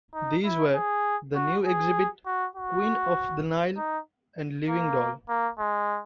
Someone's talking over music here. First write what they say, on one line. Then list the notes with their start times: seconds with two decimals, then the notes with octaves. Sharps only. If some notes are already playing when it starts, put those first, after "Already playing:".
These were "The New Exhibit", "Queen of the Nile" and "Living Doll".
0.14 D#4
0.44 E4
0.74 G#4
1.35 F#4
1.65 G#4
2.25 F#4
2.56 F#4
3.77 D#4
4.68 A#3
5.28 A#3
5.58 G#3